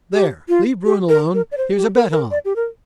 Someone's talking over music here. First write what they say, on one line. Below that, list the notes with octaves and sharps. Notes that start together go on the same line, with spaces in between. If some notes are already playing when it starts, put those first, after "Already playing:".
"There, leave Bruin alone; here's a bet on."
G4
F4
G4
A#4
A#4
D5
C5
G4
A#4
A#4
D5
G4
A#4